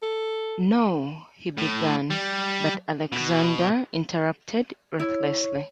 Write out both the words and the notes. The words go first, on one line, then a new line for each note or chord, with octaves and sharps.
"No — " he began, but Alexander interrupted ruthlessly.
A4
A2
G3
B2
E4 C#5